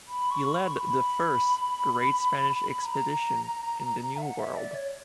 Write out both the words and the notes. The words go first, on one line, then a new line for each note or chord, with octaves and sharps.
He led the first great Spanish expedition in the New World.
B5
C#6
B5
C#6
B5
A#5
E5
F#5
E5
D5
D5
C#5